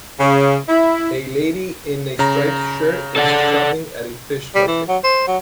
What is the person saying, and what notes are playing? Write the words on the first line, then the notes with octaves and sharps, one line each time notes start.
A lady in a striped shirt is shopping at a fish market.
C#3
E4
C#3 A#5
A4 D5 F#5
G3
E3
F#3
C5
F#3